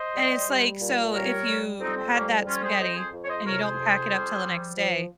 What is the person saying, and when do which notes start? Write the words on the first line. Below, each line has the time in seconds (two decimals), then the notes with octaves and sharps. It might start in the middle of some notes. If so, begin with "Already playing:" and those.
And it's like, so if you had that spaghetti and you don't pack it up till the next day,
Already playing: C5 D#5
0.14 G3
0.47 G3
0.80 A#2
1.13 G3 A#4 C#5
1.46 G3
1.79 F2 C4 D#4
1.96 C4
2.12 G3 A#3 C#4
2.46 F2 C#4 F4
2.62 G#4 C5
2.78 F2 C5 D#5
2.95 G#4 C5
3.12 F2
3.23 C#5
3.28 C5 D#5
3.44 C3 A#4 C#5
3.61 G#4 C5
3.78 F2
4.11 G3
4.44 F3
4.77 F3